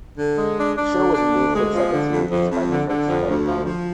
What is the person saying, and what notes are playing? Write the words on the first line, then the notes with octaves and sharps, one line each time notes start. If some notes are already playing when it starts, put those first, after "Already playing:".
The show was renewed for a second series despite the first's dark tone.
D3
G#3
D4
D4
D3
D4
D2
G#3
F3
D3
F2
F2
F2
D3
D3
F2
D2
F3
F3